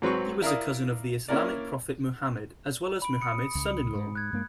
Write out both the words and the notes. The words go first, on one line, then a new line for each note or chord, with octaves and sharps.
He was a cousin of the Islamic prophet Muhammad as well as Muhammad's son-in-law.
G#2 F#3 C4 B4 C#6
E4 A#4 D5 F5 D#6
A#3 C#4 E4 A#4 D5
B5 D7
D#6 C#7
C#2
G#2
F#6 G#6
G2 G#3 A#3